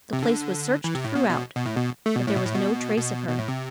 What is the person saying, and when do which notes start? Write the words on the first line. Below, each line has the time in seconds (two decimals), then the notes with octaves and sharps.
The place was searched throughout, but there was no trace of her.
0.13 C3
0.22 D3
0.84 E3
0.95 C3
1.05 A2
1.15 B2
1.30 B2
1.56 B2
1.66 A2
1.76 B2
2.06 A3
2.16 B2
2.27 A2
2.36 B2
2.46 A2
2.55 B2
2.97 B2
3.29 B2
3.38 A2
3.48 C3